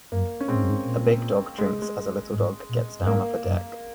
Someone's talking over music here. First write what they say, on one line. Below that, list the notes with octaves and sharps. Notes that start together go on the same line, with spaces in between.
A big dog drinks as a little dog gets down off a deck.
F#2 A#3
C#4
A#2 G#3 C4
G#2
F#2
G#2
A#2
G#3
G#3
G#2
A#2
F#2
G#2 A#3
F#2